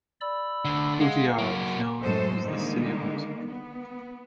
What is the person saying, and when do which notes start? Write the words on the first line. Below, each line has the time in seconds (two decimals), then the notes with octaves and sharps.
Frutillar is known as the "City of Music".
0.21 D5 B5 E6
0.65 D2 D3
1.00 G#3 F5 F#5
1.38 F#3 A#3 F#4
2.02 F#2 A2 G#3 A4 C5
2.45 D3 D#3 G3 G#3 A#3
3.48 B3